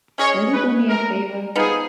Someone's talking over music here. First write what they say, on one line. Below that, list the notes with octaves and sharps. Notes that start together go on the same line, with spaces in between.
Will you do me a favour?
C#4 G#4 C#5 D#5
B4
A#4
F3 B3 D#4 G#4